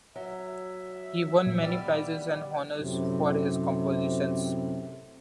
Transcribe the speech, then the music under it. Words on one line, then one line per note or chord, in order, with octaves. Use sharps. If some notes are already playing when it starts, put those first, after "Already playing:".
He won many prizes and honors for his compositions.
F#3 E5
A#2
G3 B3 D5
F#2 A2 C3